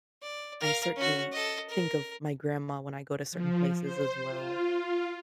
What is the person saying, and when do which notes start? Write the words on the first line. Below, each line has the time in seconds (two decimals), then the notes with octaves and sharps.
I certainly think of my grandma when I go to certain places as well.
0.22 D5
0.60 A#4 F5
0.96 C#4 F#4
1.32 A4 D#5
1.69 A#4
3.32 F3
3.82 C5
4.30 F4